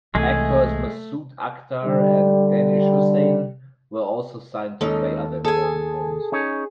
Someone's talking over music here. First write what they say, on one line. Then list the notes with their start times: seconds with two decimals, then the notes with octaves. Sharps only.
Actors Masood Akhtar and Danish Hussain were also signed to play other important roles.
0.15 C2 C3 E3 G#3 A3 G#4 G#5
1.84 D3 G3
4.81 D#2 G#3 C#4 D#4 A4
5.44 G#4 A4 G#5
6.32 C#4 D#4 C#5